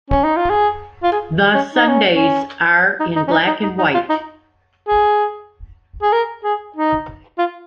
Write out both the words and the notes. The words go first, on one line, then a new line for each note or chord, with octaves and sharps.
The Sundays are in black and white.
C#4
D#4
F4
G#4
F4
G#4
C#4
D#4
C#4
C#4
D#4
D#4
C#4
D#4
D#4
D#4
D#4
F4
D#4
G#4
G#4
A#4
G#4
D#4
F4